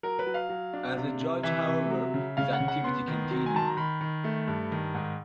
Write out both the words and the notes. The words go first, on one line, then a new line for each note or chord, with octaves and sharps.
As a judge, however, his activity continued.
F#3 A#4
B4
F#3
F5
F#3
D4
C3
C3
E3 E5
C3
F#3
C#3
C#3 F5
F#5
C#3
F#5
B3 C6
D#3
F#3
G#5
D#3 A5
A#5
D#3 B5
D#3
A3
G2
D#3
G#2